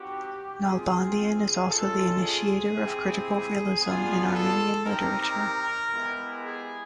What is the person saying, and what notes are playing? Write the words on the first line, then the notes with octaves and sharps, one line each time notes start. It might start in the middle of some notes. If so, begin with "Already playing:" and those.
Nalbandian is also the initiator of critical realism in Armenian literature.
Already playing: C4 D#4 F#4 G4
C4 F4 G#4
G#3 C#4 F4 A4
G#4
C4 E4 G4
B3 D4 F4 G#4
A4
C4 D#4 G4 A#4
G#3 B3 E4 G4
G#4